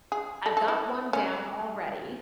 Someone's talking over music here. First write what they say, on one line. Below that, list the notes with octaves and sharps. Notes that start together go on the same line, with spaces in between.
I've got one down already,
G#4
A4
A4
E4
C#4